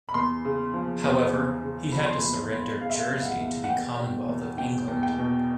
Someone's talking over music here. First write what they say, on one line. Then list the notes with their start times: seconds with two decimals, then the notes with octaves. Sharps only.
However, he had to surrender Jersey to the Commonwealth of England.
0.09 B5
0.14 E2 C6
0.45 C#3
0.74 F3
1.04 E2
1.33 E2
1.63 C#3
1.92 F3 B5
2.06 C6
2.19 E2 B5
2.51 E2
2.81 C#3 F5
2.90 E5
2.98 F5
3.10 F3
3.17 F5
3.25 F#5
3.41 E2
3.64 F#5
3.70 E2 G5
4.00 B2
4.29 E2
4.58 B2 G5
4.88 E2
5.03 G5
5.18 B2